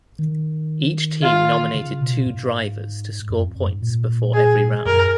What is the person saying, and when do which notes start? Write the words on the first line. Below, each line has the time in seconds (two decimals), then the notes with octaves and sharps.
Each team nominated two drivers to score points before every round.
0.19 D#3
1.23 F4
1.74 C#3
2.01 B2
2.26 G#2
3.30 F#2
3.43 F2
3.56 F#2
3.69 G#2
3.82 A#2
4.34 G#4
4.86 F#2 A#4